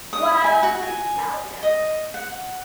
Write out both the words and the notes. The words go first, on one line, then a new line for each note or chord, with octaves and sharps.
What I always tell him!
D#6
G#5
F#4
G#5
D#5
F#5